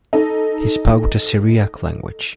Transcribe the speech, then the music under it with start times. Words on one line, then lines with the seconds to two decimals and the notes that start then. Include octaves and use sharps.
He spoke the Syriac language.
0.13 D#4 A4